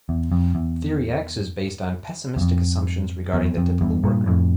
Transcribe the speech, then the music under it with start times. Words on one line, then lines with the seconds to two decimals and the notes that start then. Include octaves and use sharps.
Theory X is based on pessimistic assumptions regarding the typical worker.
0.09 E2
0.32 F2
0.55 E2
2.37 E2
2.41 F2
3.33 E2
3.57 F2
3.81 E2 G2
4.04 G2 A#2
4.26 F2 A2